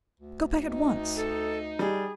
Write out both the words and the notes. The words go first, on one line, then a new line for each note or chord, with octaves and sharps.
Go back at once!
D2
D#4
A4
G3 G#4